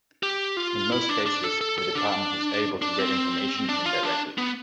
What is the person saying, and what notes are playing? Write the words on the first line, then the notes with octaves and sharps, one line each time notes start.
In most cases the department was able to get information indirectly.
G4
F4
E4
D4
D4
A4
A4
A4
D4
D4
C4
D4
F4
D4
B3